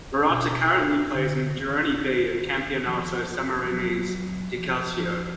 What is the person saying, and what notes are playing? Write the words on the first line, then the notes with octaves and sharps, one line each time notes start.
Murata currently plays in "Girone B" of Campionato Sammarinese di Calcio.
B2
D3
D#3
F3
F3
F#3
F3
F3